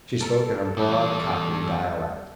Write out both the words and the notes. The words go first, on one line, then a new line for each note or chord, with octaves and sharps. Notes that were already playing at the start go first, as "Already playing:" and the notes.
She spoke in a broad Cockney dialect.
G3 A4 A#4
E2